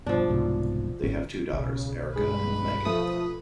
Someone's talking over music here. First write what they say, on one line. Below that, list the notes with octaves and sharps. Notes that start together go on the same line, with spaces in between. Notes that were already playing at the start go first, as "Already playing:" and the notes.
They have two daughters, Erica and Megan.
G2 B2 F3 D4
C2 G#2 B2
G#1 C#4
B1 C#3
G2 G#3 B4 B5
F3 A3 D#6